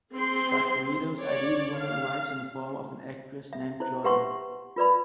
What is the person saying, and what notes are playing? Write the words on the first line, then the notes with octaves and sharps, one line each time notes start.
But Guido's Ideal Woman arrives in the form of an actress named Claudia.
C4 G#4 C6
C#5 D5
F5
E5
E4 C5
G4 B4 E5 F#5 C6 C#6
F4 B4 D5 B5